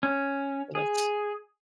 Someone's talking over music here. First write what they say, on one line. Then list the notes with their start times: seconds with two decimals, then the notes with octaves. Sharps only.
So, that's
0.03 C#4
0.75 G#4